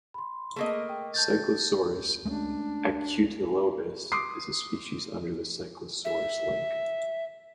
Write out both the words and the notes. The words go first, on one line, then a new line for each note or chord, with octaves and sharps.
Cyclosorus acutilobus is a species under the Cyclosorus Link.
B5 C6
A3 A#3 G#4 D#5
G5
A5 G6 A6
G#3 A3 C#4 D4
C6 D6 D#6 C7
E5